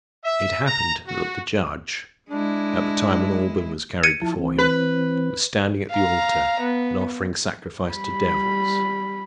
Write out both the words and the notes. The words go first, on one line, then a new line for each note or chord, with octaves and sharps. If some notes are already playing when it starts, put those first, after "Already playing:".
It happened that the judge, at the time when Alban was carried before him, was standing at the altar, and offering sacrifice to devils.
E5
A#5
F#4
G#3 D4 E4
G#6 C#7 D#7
F3 E4 A5
E3 C4
B4
F5 A#5
B3
G3 B5